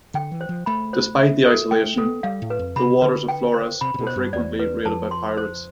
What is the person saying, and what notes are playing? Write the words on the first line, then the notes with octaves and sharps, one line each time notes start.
Despite the isolation, the waters of Flores were frequently raided by pirates.
D3 G5
E3
C5
F3
A3 B5
C5
E5
A4
A3 G5
B3 A4
G3 F5
A2
B4
F2
C3 B5
D3 B4
G5
C5
C3 B5
C3
B2
C5
G2
E2 D5
B4
F2 A5
C6
C5